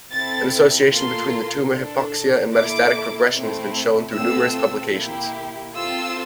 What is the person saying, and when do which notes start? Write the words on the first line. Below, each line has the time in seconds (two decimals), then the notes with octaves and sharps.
An association between tumor hypoxia and metastatic progression has been shown through numerous publications.
0.11 C4 E4 A4 A6
0.92 A#3 F4 A4 C6
1.72 D4 A4
2.53 A#3 E4 A4 D6
3.34 A3 C4 E4
4.14 A3 C4 F4 A4 E6
4.95 A#3 E4 G4
5.75 C4 F4 A4 E6